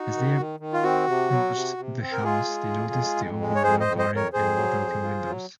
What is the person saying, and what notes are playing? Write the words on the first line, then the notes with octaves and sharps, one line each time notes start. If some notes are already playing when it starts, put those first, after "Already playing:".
As they approached the house, they noticed the overgrown garden and broken windows.
Already playing: D#4 F#4
D#3
D#3
D#3
F4
C4 F#4
C3
F#3
C3
C3
C4
A#4
G#3 F4 G#4
G#3
F2
G#3
F2
G#3
C#5
F2 G#4 C5
C5 D#5
F2
C5 D#5
F2
A#4 C#5
F2 G#4 C5
F#3
F2
F4
F#3